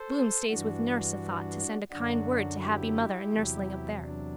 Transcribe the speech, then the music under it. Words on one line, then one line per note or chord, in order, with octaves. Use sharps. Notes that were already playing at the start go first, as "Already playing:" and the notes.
Bloom stays with nurse a thought to send a kind word to happy mother and nurseling up there.
Already playing: A4 C5
G2 E3 D4 F#4
F#2 D3 F#3 D4 F#4
E4 G4
E2 C3 F#3
D4